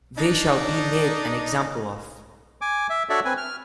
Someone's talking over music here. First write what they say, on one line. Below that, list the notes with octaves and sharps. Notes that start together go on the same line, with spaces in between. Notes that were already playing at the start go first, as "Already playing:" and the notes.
They shall be made an example of.
D4 D#4
G#5 D6
E5
D4 F#4 A4 C#5 D5 E5
C4 B4 G#5
F6